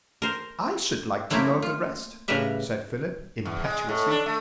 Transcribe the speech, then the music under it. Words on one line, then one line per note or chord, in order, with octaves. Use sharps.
"I should like to know the rest," said Philip, impetuously.
A#4 C5
F#3 A3 A#3 C4 E4
F4
A2 C#3 G3 A#4 B4 E5
E2
G#3
A2
D4
A3